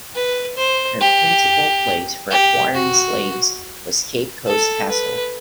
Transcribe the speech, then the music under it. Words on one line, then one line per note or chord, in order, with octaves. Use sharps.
Her principal place for acquiring slaves was Cape Coast Castle.
B4
C5
G4
G4
F#4
A4
B4